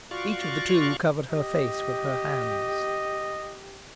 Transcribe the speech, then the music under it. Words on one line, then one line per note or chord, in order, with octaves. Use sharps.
Each of the two covered her face with her hands.
F4 F#4 D5 F5 C#6
G4 D#5